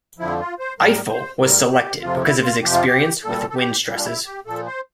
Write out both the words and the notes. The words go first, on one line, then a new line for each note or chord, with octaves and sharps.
Eiffel was selected because of his experience with wind stresses.
F2 D3 F3 E4
F4
C5
A2 G3 A#4
C5
A2 G3 A#4
G4
F2 C3 F3 F4
E4
F4
F2 C3 F3 G4
F4
G4
A#2 G3 A4
A4
G4
A#2 G3
D4
E4
G4
A#2 F3 A4
C5